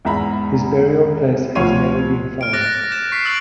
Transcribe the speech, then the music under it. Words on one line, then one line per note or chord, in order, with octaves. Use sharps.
His burial place has never been found.
E2 G#2 E5 A#5 B5
D2 F3 C#5 C6 D#7
F6 D7
D6 F#6 A6 A#6 D7
A#6 D7
G6 A#6 E7
C#6 B6 C7
E6 A6 D7 F#7